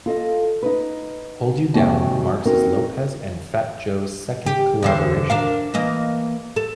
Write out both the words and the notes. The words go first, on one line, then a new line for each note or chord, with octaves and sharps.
"Hold You Down" marks as Lopez and Fat Joe's second collaboration.
F4 A4 D#5
D#4 B4
D#2 G#2 C3 D#4 F#4 G5
C4 D#4 F#4 A#4
G4
E2 D3 C5
D4 A#4 F5
E3 A#3 D#5
A4